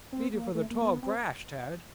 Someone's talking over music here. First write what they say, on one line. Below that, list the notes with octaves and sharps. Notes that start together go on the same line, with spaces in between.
"Beat it for the tall grass, Tad!"
C4
A#3
A3
A#3
A#3
B3
C4